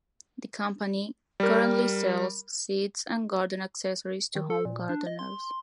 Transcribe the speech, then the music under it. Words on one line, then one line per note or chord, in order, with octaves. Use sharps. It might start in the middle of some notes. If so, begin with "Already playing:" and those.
The company currently sells seeds and garden accessories to home gardeners.
G3 A#4
D#3
A4
A#2
D4
D#5
C6